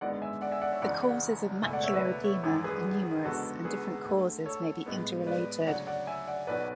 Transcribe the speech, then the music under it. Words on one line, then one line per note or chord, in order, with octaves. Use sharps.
The causes of macular edema are numerous and different causes may be inter-related.
G#1 F#2 D3 G#3 B3 D5 F#5
E5 G#5
D5 F#5
E5 G#5
D5 F#5
C#5 E5
F#1 E2 C#3 E3 D5 F#5
D5 F#5
C#2 B2 A3 E5 G#5
D5 F#5
C#5 E5
B4 D5
C#5 E5
G#1 F#2 E3
G#4 B4
F#1 E2 D3 G#3 B3 F#4 A4
G#4 B4
D2 D3 A3
A4 C#5
A1 A2 G#3 B3
B4 D5
D2 C#3 F#3 D5 F#5
D5 F#5
E5 G#5
D5 F#5
B1 B2 F#3 B4 D5